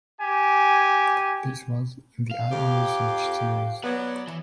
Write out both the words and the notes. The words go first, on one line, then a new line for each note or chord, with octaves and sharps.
This was in the "Eye on Research" series.
G4 G#5
F5
F2 G4
F#3 B3 D5
E3